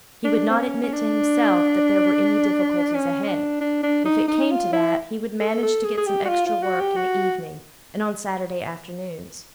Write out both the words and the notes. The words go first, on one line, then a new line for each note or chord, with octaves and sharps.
He would not admit to himself that there were any difficulties ahead; if it came to that, he would manage to get some extra work in the evening and on Saturday afternoons.
D4
C4
C#4
C#4
D4
C#4
D4
D4
D4
D#4
D#4
F4
E4
A4
A4
G#4
G#4
G4
F#4
F4
F4
F#4
G4
F#4